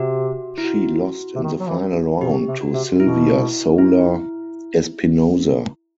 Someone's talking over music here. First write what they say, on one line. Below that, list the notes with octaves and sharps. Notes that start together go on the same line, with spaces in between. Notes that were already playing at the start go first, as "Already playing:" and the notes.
She lost in the final round to Silvia Soler Espinosa.
Already playing: C3 F#4
E4
F#4
C3
D#3
F#3
E3
B2 G4
C3
F#4
C3
B2 E4
E4